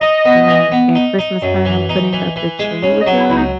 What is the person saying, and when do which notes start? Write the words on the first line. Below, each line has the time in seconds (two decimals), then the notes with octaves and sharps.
like, at Christmas time, putting up the tree with him,
0.01 D#4 D#5
0.25 B3
0.48 E3
0.72 B3
0.95 D#4
1.19 D#4
1.42 F#2
1.65 E3
1.89 D#4
2.13 E3
2.36 E3
2.59 G#3
2.83 C#3
3.01 D#5
3.06 F#3
3.17 E4
3.30 C#2 E4
3.36 D#4